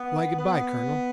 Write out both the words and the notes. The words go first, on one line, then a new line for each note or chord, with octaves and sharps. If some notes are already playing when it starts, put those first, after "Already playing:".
"Why good-bye, Colonel?"
Already playing: B3
B3